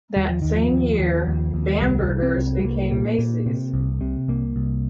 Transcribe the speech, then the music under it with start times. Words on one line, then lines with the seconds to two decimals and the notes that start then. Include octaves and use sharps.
That same year, Bamberger's became Macy's.
0.17 D#2 G3
0.29 F3
0.42 D#2 D#3
0.55 F3
0.72 D#2
0.99 D#2
1.27 D#2
1.54 D#2
1.81 C2 G3
2.09 C2
2.23 C4
2.37 C2
2.59 G3
2.64 C2 A#3
2.91 A#2
3.18 A#2
3.46 C3
3.74 C2
4.01 C3
4.28 C2 A#3
4.56 C2